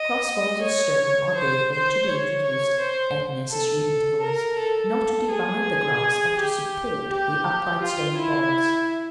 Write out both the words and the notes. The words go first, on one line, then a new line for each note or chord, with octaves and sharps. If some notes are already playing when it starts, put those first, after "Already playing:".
Cross bars of stone are, therefore, to be introduced at necessary intervals, not to divide the glass, but to support the upright stone bars.
Already playing: D#5
C#5
C5
C5
C#5
C#5
C5
A4
A#4
A4
G#4
G4
G4
F4
E4